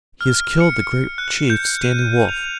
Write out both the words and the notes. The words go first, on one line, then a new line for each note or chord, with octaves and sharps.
He has killed the great chief Standing Wolf.
F6
C#7
F#6
G6
D#7
F7